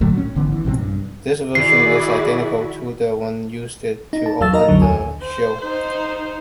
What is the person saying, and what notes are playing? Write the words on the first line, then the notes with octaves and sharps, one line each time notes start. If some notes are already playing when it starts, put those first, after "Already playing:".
This version is identical to the one used to open the show.
A2 D3 F#3 A3
C#4
G#1 D3 E3 B3
E3
A#1 C3 E3 C4
G2
D#3 E4 F#4 G#4 D5 C7
D#4
A5
E2 F#3 F5 E6 A6
D#4 A#4 D#5 A#5
C2 F2 D3 F#3
D#2 G#5
C5
D#4 C5